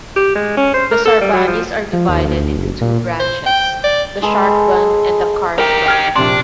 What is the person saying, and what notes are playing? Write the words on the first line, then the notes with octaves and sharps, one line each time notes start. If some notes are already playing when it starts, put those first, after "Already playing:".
The Sarbanis are divided into two branches: the Sharkbun and the Kharshbun.
G4
G#3
C#4
C5
A#4
A4
G3
F#3
F3
F3
D#2
D2
F#1
A#2
C5
G5
D5
G#3 G#4 A4 B4
D#4 G4 A#4 G5 A#5
G5 F6 G#6
A#1 C3 D4 C6